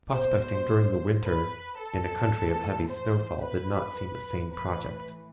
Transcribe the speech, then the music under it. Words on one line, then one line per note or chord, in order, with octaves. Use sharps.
Prospecting during the winter in a country of heavy snowfall did not seem a sane project.
B2 C5
B4
A4
A2 E3
C5
B4
A2 E3 B4